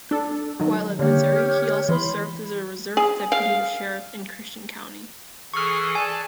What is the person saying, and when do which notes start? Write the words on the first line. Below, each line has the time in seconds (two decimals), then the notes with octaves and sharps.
While at Missouri, he also served as a reserve deputy sheriff in Christian County.
0.11 D4 A4
0.59 D#3 F#3
0.99 D3 A#3 G4 C#5 F6
1.89 E3 B5 C6
2.97 G#4
3.32 F5
5.54 E3 G#4 A4 C#6 F6
5.95 D5 G#5 A5